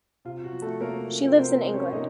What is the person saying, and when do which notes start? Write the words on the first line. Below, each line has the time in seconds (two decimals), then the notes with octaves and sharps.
She lives in England.
0.25 C3 F4
0.44 F#4
0.53 F3
0.62 A3 A4
0.81 C3 A#3 A#4
1.09 F3
1.37 C3 C4 C5
1.65 F3
1.74 C#4 C#5
1.93 C3 D#4 D#5